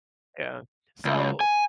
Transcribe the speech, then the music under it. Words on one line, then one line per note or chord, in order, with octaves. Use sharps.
yeah, so
C#2
G#5